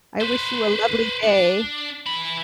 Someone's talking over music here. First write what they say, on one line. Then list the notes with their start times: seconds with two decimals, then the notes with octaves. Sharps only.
I wish you a lovely day.
0.21 B4 C5
1.23 D4
2.06 E3 B5